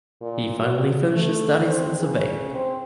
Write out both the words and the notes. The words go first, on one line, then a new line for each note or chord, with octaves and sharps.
He finally finished his studies in Surveying.
A#2
F#3
A3
C4
C#3
C4